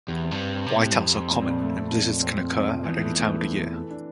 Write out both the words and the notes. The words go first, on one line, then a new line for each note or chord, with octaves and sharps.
Whiteouts are common, and blizzards can occur at any time of the year.
E2 G4
C4
G2
C4
C4
C3 E4
A#2
A2 G4
G2
F2 C4
C4
A#2
A#2
A3
A3
A#2
C4
C4
C4
C4
F3
E2 E3
A3
A3
E3
C4
E3
A4
D4